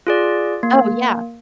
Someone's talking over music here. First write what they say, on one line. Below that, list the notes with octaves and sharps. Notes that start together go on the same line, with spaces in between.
Oh, yeah.
F4 G#4 D5
A#3